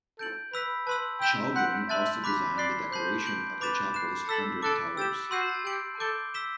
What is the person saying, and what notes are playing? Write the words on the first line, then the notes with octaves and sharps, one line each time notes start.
Chalgrin also designed the decoration of the chapels under the towers.
A4 G6 D7 F#7
B4 B5 E6 B6
B4 A5 C6 E6
G5 E6 G6 B6 E7
F#5 C6 G6 B6 D7
E5 A5 C6 F#6 A6
B5 D6 F#6 B6
D5 F#6 C7 G7
C5 A5 C6 G6
G6 D7 F#7
B4 B5 D6 A6 E7
F#6 C7 E7
A4 E6 B6 F#7
A4 D6 F#6 A6 D7
G4 E6 A6 E7
F#4 C6 E6 G6 C7
G4 G6 D7 F#7
A4 D6 G6 D7 G7
E6 B6 E7 G7